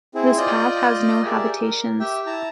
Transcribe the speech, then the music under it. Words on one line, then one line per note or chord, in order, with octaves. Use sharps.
This path has no habitations.
C4 E4 G#4
F4 D5 D#5 G6
G4 G#4 A#4 D5 E5
A#4
G4 E5 G5
E4 A5 A#5